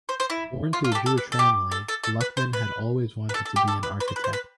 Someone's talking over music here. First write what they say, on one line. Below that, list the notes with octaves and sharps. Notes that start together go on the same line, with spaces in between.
Born to a Jewish family, Luckman had always wanted to be an architect.
C5
C5
E4
F4
F4
A4
G4
A4
B4
A4
G4
A4
A4
A4
B4
C5
B4
B4
A4
A4
G4
A4
B4
B4
C5
B4
C5
B4